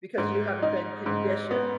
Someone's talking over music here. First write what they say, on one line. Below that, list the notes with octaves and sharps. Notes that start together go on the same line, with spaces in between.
because you haven't been conditioned.
G#2
D#4
G#2
B3